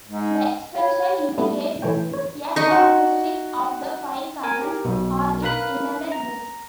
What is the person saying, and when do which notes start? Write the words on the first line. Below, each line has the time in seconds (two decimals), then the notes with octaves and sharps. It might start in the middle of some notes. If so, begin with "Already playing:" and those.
The extension indicates a characteristic of the file contents or its intended use.
0.05 G#2
0.75 C#5 F5 G5 B5
1.38 G3 A3 B3
1.82 E3 A3 C#5 G5
2.14 C#5
2.56 D#4 C#6
2.71 F#4
4.43 A#4 G#5
4.61 G4 A#4
4.85 B1 B2
5.42 A#4 B4 F5 B5 F#6
6.12 A#5